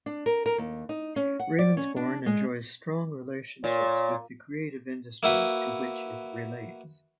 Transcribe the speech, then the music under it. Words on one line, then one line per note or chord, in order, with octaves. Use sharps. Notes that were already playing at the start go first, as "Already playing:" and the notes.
Ravensbourne enjoys strong relationships with the creative industries to which it relates.
D4
A#4
A#4
D#2
D#4
C#4
F#5
D5
C#4
D4
G#3
A#2 C#5
A#3 E4 F#4 B4